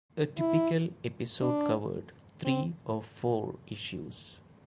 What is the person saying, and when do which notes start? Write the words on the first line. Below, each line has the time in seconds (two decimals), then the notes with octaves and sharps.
A typical episode covered three or four issues.
0.39 E4
1.42 D4
2.45 C4